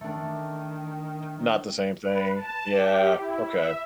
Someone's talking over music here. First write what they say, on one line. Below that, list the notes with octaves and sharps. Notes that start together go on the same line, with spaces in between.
Not the same thing. Yeah, okay.
D#3 A3 D4
B4
A5
G4
E4
E5